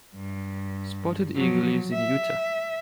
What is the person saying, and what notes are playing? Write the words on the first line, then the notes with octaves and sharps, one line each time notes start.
Spotted Eagle lives in Utah.
G2
F3 F#3
E5